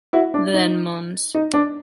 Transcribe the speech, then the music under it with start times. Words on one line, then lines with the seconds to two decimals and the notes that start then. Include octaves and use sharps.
Then mons.
0.13 E4 F#4
0.34 D4
0.54 D#4
1.35 D#4
1.54 D4